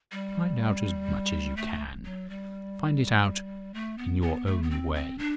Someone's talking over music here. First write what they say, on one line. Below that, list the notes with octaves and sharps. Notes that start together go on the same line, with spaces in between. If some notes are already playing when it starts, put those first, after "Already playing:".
"Find out as much as you can; find it out in your own way."
G3
A3
F#3
G3
A3
B3
B3
A3
B3
C4
C4
D4